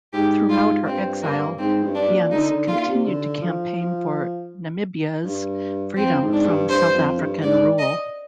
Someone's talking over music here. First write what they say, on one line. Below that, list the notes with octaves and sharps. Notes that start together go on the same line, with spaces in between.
Throughout her exile, Bience continued to campaign for Namibia's freedom from South African rule.
G#2 G4
F4
G2 C4
A#3
G#2 C4
G2
D4
A#2
D3 D#4
D3
A#2 F4
C3
D3
F3
F3
G2
F2 C4
G#2
D4
G2
G2 C5
F2
G2
G#2 D5
D#5